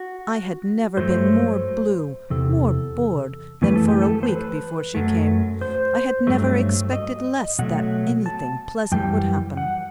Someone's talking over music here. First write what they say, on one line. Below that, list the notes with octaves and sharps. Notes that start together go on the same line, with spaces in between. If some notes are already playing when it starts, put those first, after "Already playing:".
I had never been more blue, more bored, than for a week before she came; I had never expected less that anything pleasant would happen.
Already playing: F#4
G2 F#3 A3 C5
E2 C3 A4
F#2 E3 A3 B4
A4
G4
A4
C5
B4
F#2 F#3 A3
C5
G2 F#3 A3
D#5
B2 F#3 A3 F#5
A5
F#2 E3 G3 G5
F#5